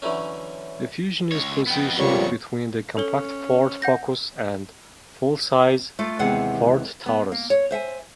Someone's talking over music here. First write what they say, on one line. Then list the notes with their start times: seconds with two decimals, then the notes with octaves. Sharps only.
The Fusion is positioned between the compact Ford Focus and full-size Ford Taurus.
0.02 D3 E3 F#3 A3 C#4
1.32 C#2 C#5
1.67 F2 B3 G5
1.98 C#2 A#2 F3 G3 C#5 C#6
2.97 C#4 A4 C#5 G7
3.82 F#5 G6 A#6
5.99 A3 F4
6.19 D#2 C3 E3 G#3 B3 F#5
7.06 B3
7.32 A#3
7.50 C#5
7.71 C5 E5 F#5 G#5